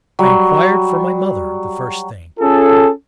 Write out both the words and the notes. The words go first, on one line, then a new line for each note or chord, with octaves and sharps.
I inquired for my mother the first thing.
F#3 G3
C#4 F4 G#4 A4